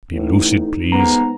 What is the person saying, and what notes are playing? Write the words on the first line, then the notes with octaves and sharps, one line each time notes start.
"Be lucid, please."
A1 D#4
G#2 B3 A#5